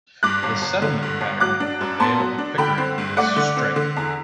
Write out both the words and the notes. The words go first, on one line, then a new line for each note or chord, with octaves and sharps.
The settlement pattern of the Vale of Pickering is striking.
G2 D6 F#6
G1
G1
D3
G2
G1
F#3 D6 F#6
D4
F#2
B3 A5 C6
F#3
D4
D3 G5 B5
C4
G2
A3 D5 F#5
D3
C4
D3
E2